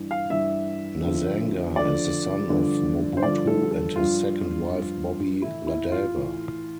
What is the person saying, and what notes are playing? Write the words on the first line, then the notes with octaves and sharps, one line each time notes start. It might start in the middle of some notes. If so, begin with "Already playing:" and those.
Nazanga is the son of Mobutu and his second wife Bobby Ladawa.
Already playing: G2 E3
F5
G2 E3 E5
F2 D3 F3
F2 D3 F3 D5
G2 D3 F3
C5
G2 D3 F3 D5
A4
A4
G2 F3 F4
G2
F3
A2 E3 E4
E4
F4
A2 E3